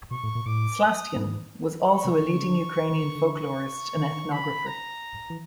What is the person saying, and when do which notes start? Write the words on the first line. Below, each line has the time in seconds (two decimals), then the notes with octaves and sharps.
Slastion was also a leading Ukrainian folklorist and ethnographer.
0.11 B2 C#6
0.24 A2
0.35 A#2
0.46 A2 D6
0.81 D#6
1.16 G#2
1.87 C#6
2.05 C3
2.22 D#3
2.29 D3
2.36 C#3
2.43 D3
2.91 D#3
3.04 D3
3.15 D3
3.26 C#6
3.97 D#3
4.32 B5
4.66 A#5
5.30 E3